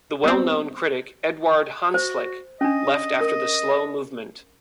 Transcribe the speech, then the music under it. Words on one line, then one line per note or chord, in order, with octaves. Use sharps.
The well known critic Eduard Hanslick left after the slow movement.
G3 B3 C4
F#4 C5
C#4 D4 D#5
A#4